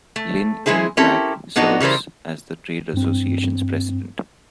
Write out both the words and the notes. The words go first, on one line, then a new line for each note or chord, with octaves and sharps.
Lynn M. Bragg serves as the trade association's President.
A3
E3 G#3 E4 G#4 C5
C4 C#4 E4 G4 A4 A#4
A2 B3 D4 D#4 F#4
C#3 E3 G3 A#4 C5
G2 C4